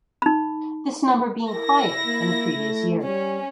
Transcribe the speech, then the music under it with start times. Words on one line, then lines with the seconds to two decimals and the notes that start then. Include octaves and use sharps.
This number being higher than the previous year.
0.22 D#4 B5
1.51 E4 A#4 A#6
2.06 A#3
2.56 A3
3.05 G3 C#4